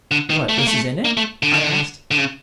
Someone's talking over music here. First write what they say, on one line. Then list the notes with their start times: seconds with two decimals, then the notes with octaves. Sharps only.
"What, Mrs. Innitt?" I asked.
0.11 D3
0.30 D#3
0.49 A3
0.59 A#3
0.68 A3
1.05 A#3
1.17 A3
1.43 D3
1.54 D#3
1.64 D3
2.11 D3
2.18 C#3